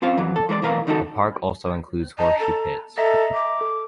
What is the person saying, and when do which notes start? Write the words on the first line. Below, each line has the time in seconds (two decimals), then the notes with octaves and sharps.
The park also includes horseshoe pits.
0.02 C4 C#4 F4 C5 F5
0.17 F2 E3 F#3
0.36 A4
0.49 E3 G#3 A#4 D5
0.62 B1 A2 E3 A#4 B4 F5
0.87 C#2 D#3 D#4 F#4 G4 A4
2.19 D#5 A5 A#5
2.40 A4
2.98 A4 D#5 E5 A#5
3.34 D6
3.61 A4